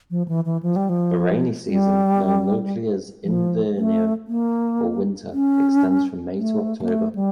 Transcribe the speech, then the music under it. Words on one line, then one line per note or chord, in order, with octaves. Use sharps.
The rainy season, known locally as "invierno", or winter, extends from May to October.
F3
E3
E3
F3
G3
F3
G3
F3
A3
A#3
C#4
A3
A#3
A3
G3